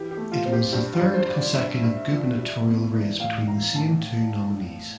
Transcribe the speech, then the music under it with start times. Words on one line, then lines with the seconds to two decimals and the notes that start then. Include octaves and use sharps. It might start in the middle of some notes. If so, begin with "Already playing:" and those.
It was the third consecutive gubernatorial race between the same two nominees.
Already playing: E3 G4
0.11 G4
0.17 A3
0.32 F4
0.46 C4
0.52 G4
0.72 G2 G4
0.93 F4
1.01 G2
1.14 C5
1.28 G2
1.34 D5
1.55 G2 E5
1.83 G2
2.11 F3
2.38 G3
2.65 E2
2.93 E3
3.20 A2 F5
3.48 E3 A#5
3.75 A2 A5